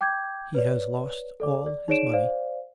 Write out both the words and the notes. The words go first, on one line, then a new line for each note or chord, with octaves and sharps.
He has lost all his money....
G5 D6 G6 G#6
B4 C#5 D5
A4 D5 D6
D5
D#4 G#4 C#5 D5 D7 E7
C5 D5 F5